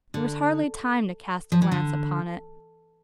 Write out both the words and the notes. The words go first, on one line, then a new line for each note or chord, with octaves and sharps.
There was hardly time to cast a glance upon it.
D3
F3
E3
D3